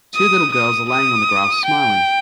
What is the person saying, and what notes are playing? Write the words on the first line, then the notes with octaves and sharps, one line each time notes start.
Two little girls are laying on the grass smiling.
D#6
D#6
D#6
G5